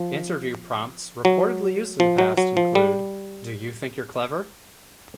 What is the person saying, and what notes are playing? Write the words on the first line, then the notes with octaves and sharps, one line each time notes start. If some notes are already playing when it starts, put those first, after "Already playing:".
Interview prompts reportedly used in the past include Do you think you're clever?
Already playing: F3
F#3
F3
F#3
F#3
F3
G3